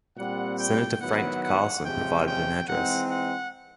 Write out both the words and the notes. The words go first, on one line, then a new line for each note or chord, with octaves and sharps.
Senator Frank Carlson providing an address.
A#2 G3 C4 F#5
G5
D#3 F#3 B3 E4 F#5
F#5
C3 F3 G#3 C#4 G5
G5
E3 G#3 C4 D#4 F#5
F#5